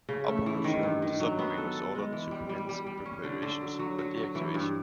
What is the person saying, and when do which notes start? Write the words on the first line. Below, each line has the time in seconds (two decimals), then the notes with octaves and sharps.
Upon return, the submarine was ordered to commence preparations for deactivation.
0.09 C#3
0.28 A3
0.46 E3
0.64 D#3
0.83 G2
1.02 D#3
1.20 F#3
1.39 B3
1.58 A4
1.75 A4
1.95 G#3
2.12 E3
2.31 G3
2.49 G3
2.69 G3
2.87 G3
3.05 C#4
3.24 D3
3.42 D3
3.61 F#3
3.79 F#3
3.98 F#3
4.17 F#3
4.35 E3
4.54 G2